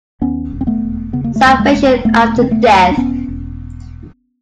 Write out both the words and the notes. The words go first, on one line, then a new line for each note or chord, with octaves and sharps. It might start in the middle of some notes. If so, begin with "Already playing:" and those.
Salvation after death.
D#2 B3 C#4
E1
C4
A3 B3
E1
C#3 B3
A#3
A3
D#2 G#3 A#3
G#3 A#3
E1
E1 A3 B3
C#3
C4
A3 B3
D#2
D4
E1 B3 C#4
E1